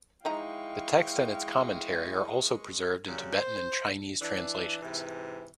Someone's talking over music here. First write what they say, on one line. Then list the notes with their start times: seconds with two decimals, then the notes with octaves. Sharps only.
The text and its commentary are also preserved in Tibetan and Chinese translations.
0.25 F3 G#3 D#4 E4 F5 G5 A#5 C#6
3.07 F#2 C#3 F#3 G3
3.36 C5
4.21 E3 D4
4.82 G#2 C3 E3